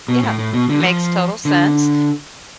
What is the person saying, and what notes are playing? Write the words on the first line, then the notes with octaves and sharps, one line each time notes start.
Yeah. Makes total sense.
B2
A2
A2
B2
D3
E3
F3
D3